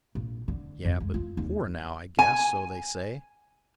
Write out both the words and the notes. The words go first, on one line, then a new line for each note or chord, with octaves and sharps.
"Yeah, but poor now, I guess; so they say."
A#1
D3
F2
G#3
F4
D#2
G#5